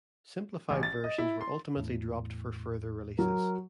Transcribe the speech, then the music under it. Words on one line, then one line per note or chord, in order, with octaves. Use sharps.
Simplified versions were ultimately dropped for further releases.
A1
A6
D#5
E4
C6
E2 A2
F#3 A#4